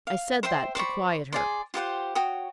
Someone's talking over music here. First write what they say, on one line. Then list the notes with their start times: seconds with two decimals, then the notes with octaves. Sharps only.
I said that to quiet her.'
0.07 F5
0.43 C5 E5 G5 C6
0.75 C5 D5 B5 C#6
1.32 G#4 D5 C6
1.74 F4 G4 C5 F#5
2.15 F#4 C#5 G5 D#6